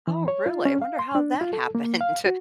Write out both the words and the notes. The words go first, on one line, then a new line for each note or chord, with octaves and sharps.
Oh, really? Wonder how that happened.
E3
C#5
F4
C#4
F5
C6
D4
F4
A4
A#3
F5
F#4